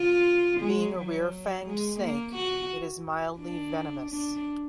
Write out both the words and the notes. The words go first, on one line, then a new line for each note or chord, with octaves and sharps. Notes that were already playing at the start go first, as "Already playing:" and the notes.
Being a rear-fanged snake, it is mildly venomous.
Already playing: F4
G#3
F#3
G#3
A#3
F#4
D4
D4